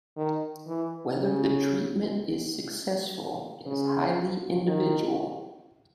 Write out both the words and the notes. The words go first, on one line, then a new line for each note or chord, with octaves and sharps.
Whether the treatment is successful is highly individual.
D#3
E3
C#3
C#3
D#3